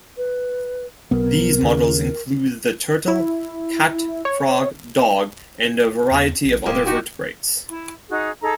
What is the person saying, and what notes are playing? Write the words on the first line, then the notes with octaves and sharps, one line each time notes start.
These models include the turtle, cat, frog, dog, and a variety of other vertebrates.
B4
B1 B3 A#4
D#2 C#3
E4
C#5
E2
A#1
D1 G#3 A#3 G4
D#4 F#4 G4
E4
D#4 F#4 G#4
D#4 G#4 A4 A#5